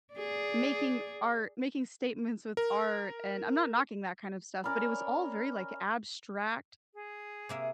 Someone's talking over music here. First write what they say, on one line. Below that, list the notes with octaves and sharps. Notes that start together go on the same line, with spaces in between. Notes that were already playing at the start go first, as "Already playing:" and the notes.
making art making statements with art, and I'm not knocking that kind of stuff, but it was all very like abstract,
G#4 D5
A#4
C#4 A#4 D5 B5
G#4
C3 A#3 E5